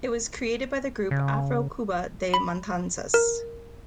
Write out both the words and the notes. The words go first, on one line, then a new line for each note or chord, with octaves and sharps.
It was created by the group Afro-Cuba De Matanzas.
C#3
B5
A#4